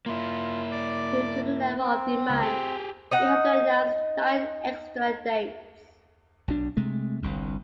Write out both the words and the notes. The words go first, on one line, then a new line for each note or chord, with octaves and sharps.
Due to the level of demand, he had to announce nine extra dates.
A#3 E4 F4
D5 D6
C4
C#2
G4 G#4
D#4 D#5 F#5
B1 B2 D4
C3 G#3 A3
G1 C2 G2